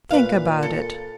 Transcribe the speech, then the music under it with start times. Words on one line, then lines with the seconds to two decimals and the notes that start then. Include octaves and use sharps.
Think about it.
0.11 A#2 B4 F5
0.63 A4